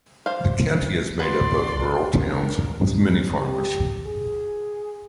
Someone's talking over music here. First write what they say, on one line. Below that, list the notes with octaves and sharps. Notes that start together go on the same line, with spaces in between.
The county is made up of rural towns with many farmers.
C5 D5 F5
B3 F4 B4 D5 C6
D4 A#4
G4
G#4